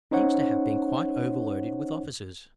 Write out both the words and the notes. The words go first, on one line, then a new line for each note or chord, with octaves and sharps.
He seems to have been quite overloaded with offices.
C#4 D#4 C5 C#5 F#5